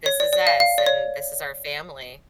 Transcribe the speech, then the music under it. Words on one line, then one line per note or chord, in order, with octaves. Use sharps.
this is us, and this is our family.
C#5
D5
D5
F5
F5
D5
C#5